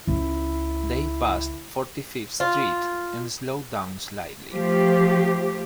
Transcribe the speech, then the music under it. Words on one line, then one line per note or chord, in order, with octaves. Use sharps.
They passed Forty-fifth Street and slowed down slightly.
C#2 E4
F4
F3 A3 G4